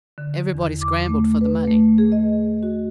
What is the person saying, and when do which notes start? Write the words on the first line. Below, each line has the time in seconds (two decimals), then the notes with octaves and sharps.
Everybody scrambled for the money.
0.18 D3
0.54 E2
0.81 D6
1.07 A3
1.41 B4
1.68 A3
1.98 G#4
2.12 D#5
2.63 F#4